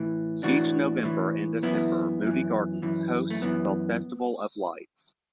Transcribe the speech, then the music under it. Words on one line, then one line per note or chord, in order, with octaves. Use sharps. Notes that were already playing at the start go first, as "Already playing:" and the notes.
Each November and December Moody Gardens hosts the Festival of Lights.
Already playing: A2 E3
A2 E3 D4 F#4
A2 E3
F#2 E3 B3 E4
F#2 E3
F#2 E3
A3
F#2 E3 B3